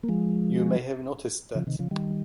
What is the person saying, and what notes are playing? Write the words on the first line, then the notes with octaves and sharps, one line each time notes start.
You may have noticed that.
A#3
F3 G#3
C#3 F3
C3 D#3
C#3 F3
D#3 G3